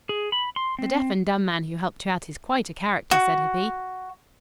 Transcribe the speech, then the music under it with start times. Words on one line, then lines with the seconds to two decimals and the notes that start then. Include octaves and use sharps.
"The deaf and dumb man who helped you out is quite a character," said Hippy.
0.09 G#4
0.32 B5
0.56 C6
0.79 C4
3.11 F#4